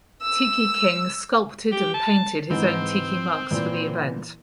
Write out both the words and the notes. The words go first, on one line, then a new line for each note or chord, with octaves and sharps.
Tiki King sculpted and painted his own tiki mugs for the event.
E6
G4
A5
G#2 E3 C4
A#2 E3